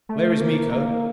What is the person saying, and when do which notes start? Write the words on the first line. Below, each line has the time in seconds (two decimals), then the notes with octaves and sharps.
"Where is Miko?"
0.09 A3
0.40 A#3
0.72 A#3